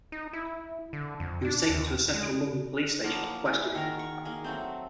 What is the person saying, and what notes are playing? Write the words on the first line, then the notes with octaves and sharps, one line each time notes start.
He was taken to a central London police station for questioning.
D#4
E4
D3
F2
D4
D#2
G#3
F3 F#3 A#3
E4 G#4
D#3 F#4 A#4
C#6
A#3 G#4
F#3 A3 C4